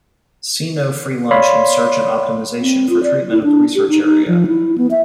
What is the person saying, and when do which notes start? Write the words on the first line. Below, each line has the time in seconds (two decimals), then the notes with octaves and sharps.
See No free lunch in search and optimization for treatment of the research area.
1.31 C#5 D5 F5 B5 C6
2.61 C4
2.89 F4
3.03 D5
3.31 E4
3.43 D4
3.75 G4
3.90 D#4
4.04 D#4
4.28 F3
4.47 E4
4.78 B3
4.91 E5